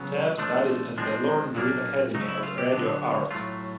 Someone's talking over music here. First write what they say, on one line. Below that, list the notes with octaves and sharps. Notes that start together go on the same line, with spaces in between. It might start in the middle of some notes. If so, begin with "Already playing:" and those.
Tapp studied at the Lorne Greene Academy of Radio Arts.
Already playing: C#3 F#3 B3 D4
F3 A3 D4
F3 G#3 C4 D4
A#2 F#3 A#3 D4
C#3 F#3 A3 D#4
E4
F4
G4
D3 F#3 B3 D4
A2 F#3 A3 F4